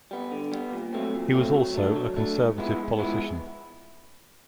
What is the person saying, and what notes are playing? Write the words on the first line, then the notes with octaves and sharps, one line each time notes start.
He was also a Conservative politician.
G3 B3
D3
G3 B3
A#2
F#3 A3 C4
A#2
F#3 A3 C4
F#3
A3 D4
F#3
A3 D4
G#2
F3 G#3 B3 E4
G#2
F3 G#3 B3 E4